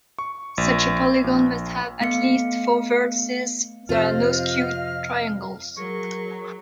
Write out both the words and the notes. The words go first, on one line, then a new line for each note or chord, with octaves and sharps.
Such a polygon must have at least four vertices; there are no skew triangles.
C#6
A#1
A#1
A3 B3 F5 C#7
F2 C3 F4 C5 D#5 F5 F6
F#3 G#4 A#4 C#6